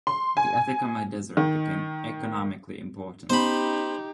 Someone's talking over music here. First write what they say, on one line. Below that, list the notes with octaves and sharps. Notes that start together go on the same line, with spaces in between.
The Atacama Desert became economically important.
C6
G#5
D#3
B3 C#4 D#4 G4 C5 B5